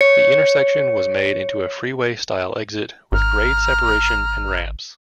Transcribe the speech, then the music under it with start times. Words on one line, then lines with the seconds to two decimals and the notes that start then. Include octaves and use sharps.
The intersection was made into a freeway-style exit with grade separation and ramps.
0.01 C#5 C#7
3.12 G#1 A#5 F6